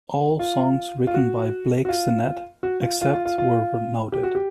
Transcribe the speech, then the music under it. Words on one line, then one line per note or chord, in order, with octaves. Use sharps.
All songs written by Blake Sennett, except where noted.
F4
F4
F#4
F#4
F4
F#4
F4
F4
F4
F4
F4
G4
F#4
G4